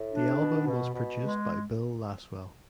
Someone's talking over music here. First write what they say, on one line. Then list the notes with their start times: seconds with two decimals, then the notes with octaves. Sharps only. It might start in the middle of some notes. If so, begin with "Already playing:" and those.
The album was produced by Bill Laswell.
Already playing: A2
0.12 D4
0.40 B2
0.67 B2
0.94 B2
1.22 G#3